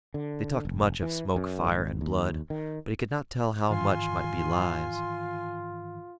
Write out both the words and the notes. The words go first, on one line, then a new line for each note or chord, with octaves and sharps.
They talked much of smoke, fire, and blood, but he could not tell how much might be lies.
D3
F1
E3
F#2
G#1
D#2
D#3
G#2 D#3 E3 F4 G#5 C6